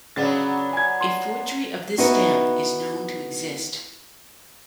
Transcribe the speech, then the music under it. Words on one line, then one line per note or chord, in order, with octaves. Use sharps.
A forgery of this stamp is known to exist.
C#3 F#3 B3 D4 A6
G#5 G#6
C6
B3 D#4 E4 F#4